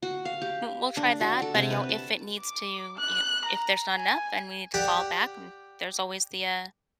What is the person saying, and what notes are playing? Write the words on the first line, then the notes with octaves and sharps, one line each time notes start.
w we'll try that. But, you know, if it needs to you i if there's not enough and we need to fall back, um, there's always the, uh,
F#4
F5
G4
D4
F#4
A4
C3
B4
A5
D6
F#6
A#5
G#5
G4 D5 F#5